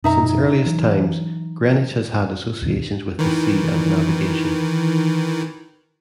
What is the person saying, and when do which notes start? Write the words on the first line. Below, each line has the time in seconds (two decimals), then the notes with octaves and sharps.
Since earliest times Greenwich has had associations with the sea and navigation.
0.04 F#2 B2 D#4 E5 A#5
0.66 E3 F#3
2.62 D2 B2 D#3
3.19 D#3 E3